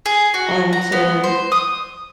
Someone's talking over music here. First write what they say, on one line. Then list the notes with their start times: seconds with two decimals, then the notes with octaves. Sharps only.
and to
0.06 G#4
0.34 F#4
0.73 A#5
0.92 B3
1.24 C5
1.52 D#6